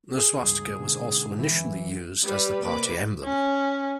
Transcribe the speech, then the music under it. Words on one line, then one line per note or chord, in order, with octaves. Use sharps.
The swastika was also initially used as the party emblem.
G#4
C#2 G2
B2 D3 G#3
E3
F#2
G3 B4
C3 A#3 B4 B5 D6
C#4